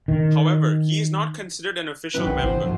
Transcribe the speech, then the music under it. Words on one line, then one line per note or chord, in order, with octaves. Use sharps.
However, he is not considered an official member.
D#3
F#2 D#3 F#3 B4
C2 F#5 G5
G#1 C3 E3 C5
G2 F3